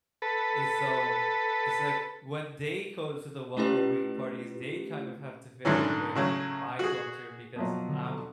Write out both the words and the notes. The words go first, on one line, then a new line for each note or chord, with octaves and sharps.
and so, it's, like, when they go to the welcome week parties, they kind of have to fit in with my culture because I'm
A4 B4
A3 C#4 E4 F4 G4 B4
G#2 D3 E3 F#3 C#4
A2 C#3 F#3
F#4 G#4
B2 F3 F#3
D3